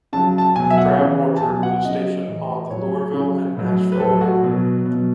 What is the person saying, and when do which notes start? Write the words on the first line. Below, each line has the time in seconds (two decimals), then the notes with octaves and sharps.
Crab Orchard was a station on the Louisville and Nashville Railroad.
0.13 C#3 F#3 A5
0.38 A5
0.56 B2 F#3 G#5
0.70 E5
0.78 F#5
0.99 C#3 E3
1.36 A5
1.42 B2 F#3 G#5
1.63 F#5
1.85 C#3 F#3 D#5
2.27 A2 E3
2.71 A2 F#3 C#5
3.14 C#3 F#3
3.57 A2 F#3
3.92 B4
4.00 A2 F#3 A4
4.21 F#4
4.43 B2 F#3
4.85 B2 F#3